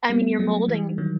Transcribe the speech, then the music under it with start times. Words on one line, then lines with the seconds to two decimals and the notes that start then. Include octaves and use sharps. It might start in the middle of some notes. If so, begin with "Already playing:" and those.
I mean, you're molding
0.09 G3 B3
0.39 F#3 A3
0.68 E3 G3
0.98 D#3 F#3